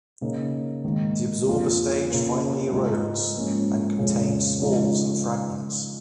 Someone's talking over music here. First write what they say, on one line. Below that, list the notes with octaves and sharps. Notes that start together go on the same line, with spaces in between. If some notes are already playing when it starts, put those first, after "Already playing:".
The absorber stage finally erodes and contains spalls and fragments.
C#3 A#3 D#4
G#2 D#3 A#3 D#4
F2 F3 A#3 F4
C#3 A#3 F4
G#2 G#3 F4
G#2 F3 A#3 C#4
F2 C#3 G#3
C#3 F3 G#3 D#4